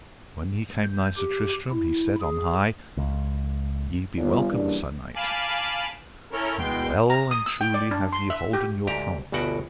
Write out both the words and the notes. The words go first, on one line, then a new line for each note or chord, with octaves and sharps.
When he came nigh Sir Tristram he said on high: Ye be welcome, sir knight, and well and truly have ye holden your promise.
G6
G4
E4
G#4
C#2
G1
C#3 E3 G3 A#3 D4
F5 G#5 A5 B5 D6
C#4 E4 A4 A#4 C#5
E2 B2 G#3 B3 G5 C6
A#5
D#6
E6
G5
D5
D4
C6
E5
G4
D2 G#2 G4 A#5
G1 D2 B2 F#4 F#5 G5